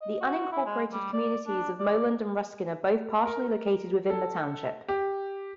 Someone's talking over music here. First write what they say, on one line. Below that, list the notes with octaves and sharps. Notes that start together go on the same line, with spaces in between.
The unincorporated communities of Moland and Ruskin are both partially located within the township.
D#5
F#4
E4
G#3
G3
D5
D4
D5
A#4
A4
G4